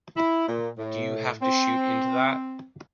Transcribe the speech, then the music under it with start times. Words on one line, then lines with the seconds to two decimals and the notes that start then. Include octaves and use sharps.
Do you have to shoot into that?
0.16 E4
0.48 A#2
0.77 A2
1.42 C4